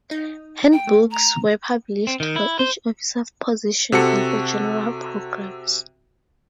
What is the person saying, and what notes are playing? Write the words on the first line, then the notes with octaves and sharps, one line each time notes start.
Handbooks were published for each officer position and for general programs.
D#4
G5
A3
A#5
C4
D#3
E4
C5
C3 F#4 A4 C#7